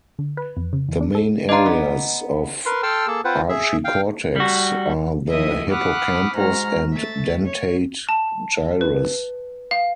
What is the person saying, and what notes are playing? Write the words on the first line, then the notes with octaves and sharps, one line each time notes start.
The main areas of archicortex are the hippocampus and dentate gyrus.
D3
B4
F2
C#3
E2
D4
A4
D4 F4 D#5 A#5
B3
A#4 B4 C6
A4 G5 A5 C6 E6 F6
A#3 G#4 A4 A5
C4 F4 B4 C5 F#5
G#4 E5
F5 G5
G3 F#4
D#2 F3 E4 D#5 E5 D#6
F#5 B5 D6 D#6 F6 F#6
G#2 G#3 F#4 A#5 F6
A3 E5 A6
C#5
A5
B4
F5